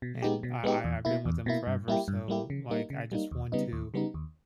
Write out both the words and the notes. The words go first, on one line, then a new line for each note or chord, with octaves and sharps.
and I I I've been with them forever. So, like, I just want to
B2
G#3 B3 D#4 G4
B2
G#3 B3 D#4 G4
E2
B2 A#3 E4
E2
B2 A#3 E4
G2
G3 A#3 E4 G4
G2
G3 A#3 E4 G4
C#3
G3 A#3 D#4
C#3
G3 A#3 D#4
D#2
C#3 G3 B3 D#4
D#2
C#3 G3 B3 D#4
D#2